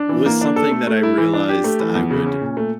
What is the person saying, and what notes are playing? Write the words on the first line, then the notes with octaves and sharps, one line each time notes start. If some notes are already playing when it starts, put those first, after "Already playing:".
was something that I realized I would
Already playing: D4
E3
A#3
D4
A4
A3
A3
E4
E3
D4
G4
A3
E3
E2
C#3
C#4
A#2
A3